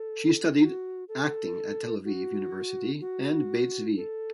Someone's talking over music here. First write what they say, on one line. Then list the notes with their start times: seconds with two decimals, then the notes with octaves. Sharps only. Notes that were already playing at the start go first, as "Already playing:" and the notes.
She studied acting at Tel Aviv University and Beit Zvi.
Already playing: A4
0.61 F#4
1.08 A4
2.04 F#4
3.00 F#4
3.96 A4